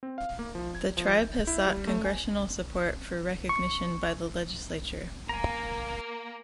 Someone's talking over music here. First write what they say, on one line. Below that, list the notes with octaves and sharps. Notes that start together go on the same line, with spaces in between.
The tribe has sought Congressional support for recognition by the legislature.
C4
F5
A#3
F3
G#6
F3
G6
E4
G3
A3
G#5
C#6
A#3 G#5 A#5